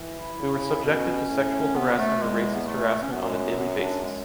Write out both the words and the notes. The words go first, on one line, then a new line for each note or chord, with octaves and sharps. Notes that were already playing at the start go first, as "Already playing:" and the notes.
We were subjected to sexual harassment or racist harassment on a daily basis.
Already playing: E3
E4
C#3
B2 C#4
A2
F#2 B3
A3
E2 G#3
B3
A3
C#4
F#2 B3
G#3
B3
B3
D4
G#3